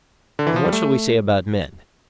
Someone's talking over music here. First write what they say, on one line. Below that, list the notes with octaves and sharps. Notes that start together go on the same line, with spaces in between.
And what shall we say about men?
D3
E3
F3
G3
A3